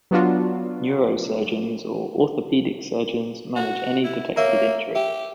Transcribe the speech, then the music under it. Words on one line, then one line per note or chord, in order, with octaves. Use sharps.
Neurosurgeons or orthopaedic surgeons manage any detected injury.
F#3 B3 D4 F4 F#4
F#4
E4
A#3 C#5 E5 A#5
G4 E5